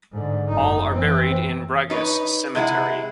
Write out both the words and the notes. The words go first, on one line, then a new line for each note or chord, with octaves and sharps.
All are buried in Brigus Cemetery.
G#2 D3
F#1 D#4
E3 C4
D#4 B4 C#5
C3 G#3 E4 F#5